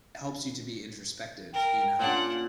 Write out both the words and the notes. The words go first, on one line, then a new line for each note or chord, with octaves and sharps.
helps you to be introspective, you know?
A#4 G5
A#2 C#3 D4 F#5